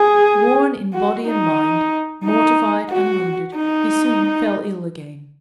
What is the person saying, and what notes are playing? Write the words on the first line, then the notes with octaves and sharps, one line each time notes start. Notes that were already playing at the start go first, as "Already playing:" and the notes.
Worn in body and mind, mortified and wounded, he soon fell ill again.
Already playing: G#4
F#4
D#4
D#4
F#4
D#4